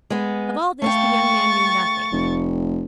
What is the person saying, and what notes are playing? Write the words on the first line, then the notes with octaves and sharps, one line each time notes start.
Of all this the young man knew nothing.
G#3 B3
A3 F5 G5 C#6 A6
F1